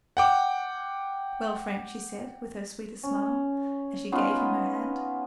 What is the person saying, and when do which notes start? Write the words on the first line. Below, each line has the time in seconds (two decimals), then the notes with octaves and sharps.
"Well, Frank?" she said, with her sweetest smile, as she gave him her hand.
0.17 F#5 G5 D6
3.03 C#4
4.12 B3 C#4 D#4 F4